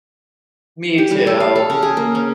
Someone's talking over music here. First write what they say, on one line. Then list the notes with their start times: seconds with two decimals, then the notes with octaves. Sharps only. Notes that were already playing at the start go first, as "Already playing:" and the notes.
Me too.
0.98 G4
1.11 G3
1.27 A4
1.40 F5
1.55 A4
1.70 C#3
1.82 G#4
1.97 A#3
2.15 C#4